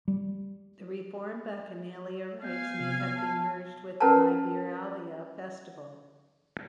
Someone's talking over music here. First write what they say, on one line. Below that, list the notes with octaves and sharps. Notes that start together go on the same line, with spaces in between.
The reformed Bacchanalia rites may have been merged with the Liberalia festival.
G3
B3 F5 G#5 G6
C3
A5
C#4 A#4 B4 F#5 A5 A#5